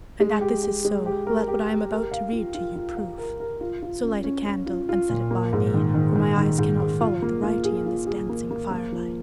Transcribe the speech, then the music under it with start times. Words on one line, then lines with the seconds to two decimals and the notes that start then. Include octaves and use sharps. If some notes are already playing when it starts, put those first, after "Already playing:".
And that this is so let what I am about to read to you prove; so light a candle and set it by me, for my eyes cannot follow the writing in this dancing firelight.'
0.20 G#3
0.41 G4
0.63 G4
0.85 G#3
1.06 G4
1.27 A#4
1.48 G4
1.69 G4
1.91 A#4
2.11 F5
2.32 F4
2.55 F4
2.76 F4
2.97 F5
3.18 A#4
3.40 A#4
3.61 F4
3.83 F4
4.03 C#4
4.24 C#4
4.45 C#4
4.66 F4
4.89 F4
5.09 A#2
5.31 A#3
5.53 G#2
5.74 D#3
5.94 D#3
6.16 D#3
6.37 D#3
6.58 G#2
6.80 G#2
7.01 F4
7.22 A#3
7.43 F4
7.65 G#4
7.86 F4
8.07 G#4
8.29 A#3
8.51 A#3
8.71 A#3
8.92 F3